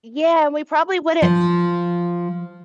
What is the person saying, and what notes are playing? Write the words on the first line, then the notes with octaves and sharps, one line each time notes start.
Yeah, we probably wouldn't
F3